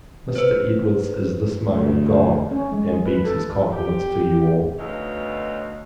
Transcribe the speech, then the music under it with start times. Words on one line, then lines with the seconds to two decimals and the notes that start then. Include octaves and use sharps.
Mr. Edwards is this moment gone, and begs his compliments to you all.
0.35 B4 C5
1.62 D2
2.51 C#4
2.72 G#3
3.06 B4
3.25 A4
3.73 G4
4.79 D2 B2 D#4 C#5 F5